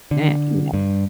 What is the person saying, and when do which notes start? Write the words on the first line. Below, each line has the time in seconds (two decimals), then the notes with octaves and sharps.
na you know."
0.11 D3
0.73 G2